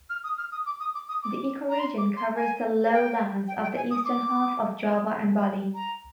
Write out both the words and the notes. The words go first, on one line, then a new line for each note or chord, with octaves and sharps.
The ecoregion covers the lowlands of the eastern half of Java and Bali.
F6
D#6
F6
D#6
D6
D#6
D6
D#6
D6
A#5
C6
D6
C6
G#5
G5
G5
G5
G#5
D#6
D6
A#5